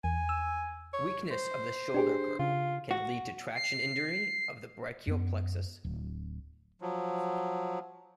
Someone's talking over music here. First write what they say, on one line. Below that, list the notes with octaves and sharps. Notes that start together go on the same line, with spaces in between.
Weakness of the shoulder girdle can lead to traction injury of the brachial plexus.
E2 G#5
E6
C#5
C5
D4 G4 G#4
C#3 F4
F#4
C7
F#2 B3
D1
F3 F#3